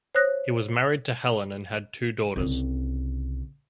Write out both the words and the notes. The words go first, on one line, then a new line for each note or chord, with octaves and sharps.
He was married to Helen and had two daughters.
C5 C#5 D#6 F#6 A#6
C2 C#3